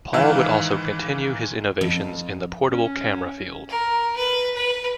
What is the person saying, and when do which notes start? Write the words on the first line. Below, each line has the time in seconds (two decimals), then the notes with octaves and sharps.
Paul would also continue his innovations in the portable camera field.
0.13 G#2 D#3 E3 F5 E6
1.81 F2
2.70 C#4
3.69 A#4
4.16 B4
4.55 B4